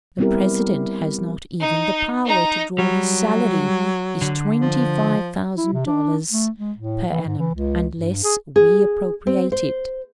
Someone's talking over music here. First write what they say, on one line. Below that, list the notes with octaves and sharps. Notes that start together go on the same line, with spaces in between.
The President has not even the power to draw his salary--his twenty-five thousand dollars per annum--unless we appropriate it.
G3 B3 C4 E4 G4 A#4
D#4
D#4 A#5
F#3 G3
D3
F3
E4
C3
D4
A3
G#3
A2
E3
G#2
E3
C#2
G2
G#4
G#4
C4
C5